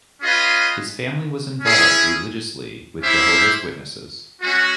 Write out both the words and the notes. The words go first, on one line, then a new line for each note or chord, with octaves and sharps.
His family was involved religiously with Jehovah's Witnesses.
C#4 F4 G#4 B4 D#5
C#4 E4 G#4 C#5
C#4 E4 G4 C5 E5
G#3 C#4 F#4